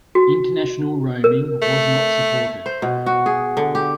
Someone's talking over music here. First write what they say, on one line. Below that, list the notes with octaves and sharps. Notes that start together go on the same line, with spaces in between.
International roaming was not supported.
F#4
A#4
A3
C5
B2
F#4
G#4
D3
G4